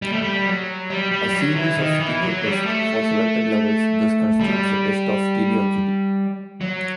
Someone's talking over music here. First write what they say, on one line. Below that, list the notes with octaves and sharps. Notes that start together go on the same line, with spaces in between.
A series of stereotests for selected levels thus constitutes a test of stereoacuity.
G3
A3
G3
F#3
G3
G3
F#3
E3
D#3
E3
F#3
G3
A3
G3
F#3